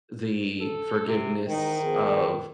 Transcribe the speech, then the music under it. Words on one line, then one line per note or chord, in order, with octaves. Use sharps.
the forgiveness of
A4
C3
E2 G#2 D#3 D#4
F3 B3 G#4